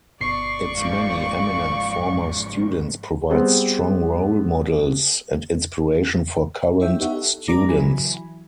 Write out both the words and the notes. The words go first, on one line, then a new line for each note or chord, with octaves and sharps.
Its many eminent former students provide strong role models and inspiration for current students.
G1 B2 D5 C#6 C7
G#2 F3 A#3 F5
G3 B3 C4 G#4 C5
E4 C#5 E5 G5
B3 D#4 G4 C#5 E5 F#5
A4
C#4 G4 D5 A#5 D6 A#6
E3 F#3 E4 G#5 B5